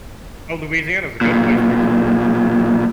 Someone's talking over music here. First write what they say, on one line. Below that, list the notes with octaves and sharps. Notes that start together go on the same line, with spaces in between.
Oh, Louisiana is a good place to explore.
B1 A#2